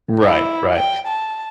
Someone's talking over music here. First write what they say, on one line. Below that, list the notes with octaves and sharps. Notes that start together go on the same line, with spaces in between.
Right, right.
E4
G5
A5